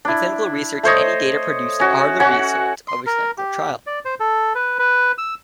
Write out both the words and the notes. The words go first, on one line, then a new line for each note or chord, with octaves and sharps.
In clinical research any data produced are the result of a clinical trial.
D4 E4
A3 C5 C#5 D#5
C#4 F#4
C#4 F#4 C#5 F#5
C6
A#4
G4
D5
C5
A4
B4
B4
E6